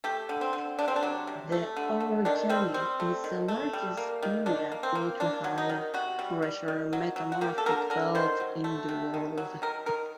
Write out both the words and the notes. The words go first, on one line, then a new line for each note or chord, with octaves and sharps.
The orogeny is the largest area ultrahigh pressure metamorphic belt in the world.
A3 G4
D3
C4
D3
C3 D4
C4
D4
F#3
C3
A3
D3
A3
D#3 D4
G3 C4
G3 C4
A3
D#3
A3
G3
A#3
D#3
D#3 D4
A#3
C4
A#3
A#3 D4
F#3
D#4
D#3
C3 F#4
G3
G3
D#3
F#3
F#3
F#4
A#3 G4
A4
D3 A#4
D3 A#4
D#3 C5
F#3
A3
C3
D#3
F#3
D#3 A#4
D#3 A#4